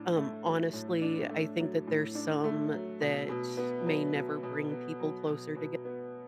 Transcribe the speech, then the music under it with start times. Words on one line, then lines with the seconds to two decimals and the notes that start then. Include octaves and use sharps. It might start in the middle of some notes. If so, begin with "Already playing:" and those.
um, honestly, I think that there's some that may never bring people closer toge
Already playing: A2 D4
0.17 A3
0.45 F#3
0.73 A2
1.02 D4
1.30 A3
1.59 F#3
1.87 A2
2.15 D4
2.44 A3
2.72 F#3
3.01 B2
3.29 B2
3.57 B3
3.86 F#3
4.14 B2
4.43 B2
4.71 B3
5.00 F#3
5.29 B2
5.56 B2
5.85 B3